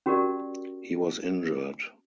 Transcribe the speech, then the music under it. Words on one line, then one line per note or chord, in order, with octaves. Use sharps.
He was injured.
C#4 F#4 G4 A#4 D5